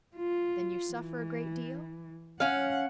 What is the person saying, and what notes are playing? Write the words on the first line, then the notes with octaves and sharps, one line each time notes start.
"Then you suffer a great deal?"
F4
E3
C#4 F5 F#5